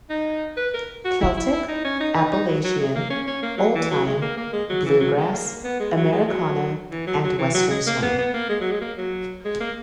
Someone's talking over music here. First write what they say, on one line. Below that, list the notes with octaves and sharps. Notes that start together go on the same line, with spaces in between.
Celtic, Appalachian, Old Time, Bluegrass, Americana and Western Swing.
D#4
B4
A#4
F#4
E4
E4
E4
D#4
C#4
D#4
D#4
D#4
F#3
F#3
G#3
A#3
C#4
C#4
A#3
F#3
E3
F#3
G#3
A#3
A#3
G#3
F#3
E3
F#3
G#3
A#3
B3
G#3
F#3
G#3
F#3
E3
F#3
F#3
E3
F#3
G#3
A#3
B3
B3
A#3
G#3
F#3
G#3
A#3
F#3
G#3
A#3